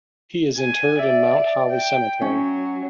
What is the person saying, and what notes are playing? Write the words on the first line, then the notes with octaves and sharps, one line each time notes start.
He is interred in Mount Holly Cemetery.
G#5
D5 E5
G5
F#3 C#4